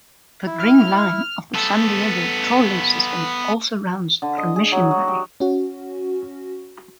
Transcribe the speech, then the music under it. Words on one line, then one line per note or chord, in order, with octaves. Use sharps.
The Green Line of the San Diego Trolley system also runs through Mission Valley.
E4
F6
B3 A4
D3
D#5
G#4
F#3
F#4
G4
C#4 F#4